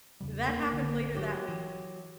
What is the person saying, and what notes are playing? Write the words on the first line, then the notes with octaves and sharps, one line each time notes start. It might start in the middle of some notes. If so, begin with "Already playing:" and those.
that happened later that week,
E2 C#3 G3
D#1 A#3
A#1 D3
F#3 F#4 G4
E3